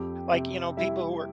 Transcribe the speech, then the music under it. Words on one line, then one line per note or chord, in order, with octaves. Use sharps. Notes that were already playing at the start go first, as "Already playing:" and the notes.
like, you know, people who are
Already playing: F2 G4 G5
C3
G3 E4 E5